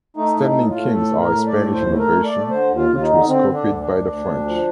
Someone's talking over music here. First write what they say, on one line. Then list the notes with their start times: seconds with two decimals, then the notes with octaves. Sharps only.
Standing kings are a Spanish innovation which was copied by the French.
0.17 A3 D#4
0.36 A2
0.43 D#4
0.56 A2
0.70 F4
0.76 A3
0.94 A2 A4
1.14 A2
1.21 A#4
1.35 A3
1.47 D5
1.53 A2
1.73 D#2 C5
1.93 A3
1.99 A#4
2.12 A3
2.24 D5
2.31 A3
2.50 D3 C5
2.70 D#2
2.76 F4
2.90 D#2
2.95 F4
3.02 D#4
3.10 D3
3.28 D3 C4
3.49 D3
3.54 D4
3.67 D2
3.81 D4
3.88 D2
4.06 D2
4.26 D2
4.45 F3